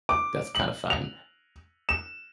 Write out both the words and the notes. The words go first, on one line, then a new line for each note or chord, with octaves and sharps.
that's kind of fun
D6
F#7
F7
E7